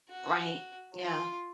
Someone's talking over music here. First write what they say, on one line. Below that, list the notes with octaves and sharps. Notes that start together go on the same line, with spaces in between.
Right, yeah.
F#4
F4